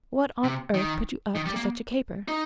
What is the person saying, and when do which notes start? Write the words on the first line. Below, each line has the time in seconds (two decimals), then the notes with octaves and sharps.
What on earth put you up to such a caper?
0.44 C3
0.74 D#3
1.35 D#3
1.46 G3
1.56 A#3
2.28 D#4